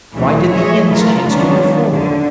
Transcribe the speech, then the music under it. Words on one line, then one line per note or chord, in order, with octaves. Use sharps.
Why did the inns chance to be full?
D2 A#2 C#3 E3
E3 F3 G#4 C#5 D#5 E5
E3 F#3 G#3 A3 F4 A#4
D#3 F#3 B3 C#4 D4 F4
D3